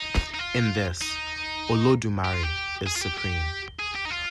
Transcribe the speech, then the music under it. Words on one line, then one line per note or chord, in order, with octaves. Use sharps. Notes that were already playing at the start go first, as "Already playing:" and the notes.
In this, Olodumare is Supreme.
Already playing: D#4
D#4
F4
D#4
G4
F4
G4
G#4
F4
G4
G4
G#4
G4
D#4
F4